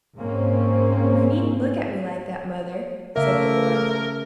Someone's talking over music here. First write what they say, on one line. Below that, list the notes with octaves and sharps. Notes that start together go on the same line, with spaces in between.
"You needn't look at me like that, mother," said the boy.
G#2 A#3 C4 C#4
C#3 A3 A#3 A#4 E5